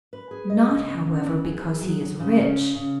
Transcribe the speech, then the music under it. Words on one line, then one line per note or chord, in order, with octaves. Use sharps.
"Not, however, because he is rich."
B4
G#4
D#5
C#3
B3
C#3
B3
G#4
G#4
F#3
F#3
C#3
C#4
C#3
C#3